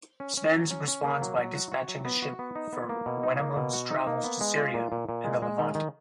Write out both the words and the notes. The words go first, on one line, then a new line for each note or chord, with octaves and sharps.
Smendes responds by dispatching a ship for Wenamun's travels to Syria and the Levant.
C#4
C#4
F#3
C#4
C#4
A#3
F#3
F#3
F#4
F#4
F#3
B3
F#4
B3
D#4
B3
A#3
B2
D#4
A#3
B2
F#4
D#4
A#3
B3
G#3
F4
A#2
A#2
A#2
G#3
G#3
D#3
D#3